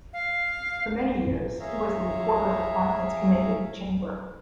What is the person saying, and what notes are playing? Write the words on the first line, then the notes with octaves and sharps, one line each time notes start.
For many years he was the reporter of the finance committee of the chamber.
F5
G#4 C#5 E5 F5 A#5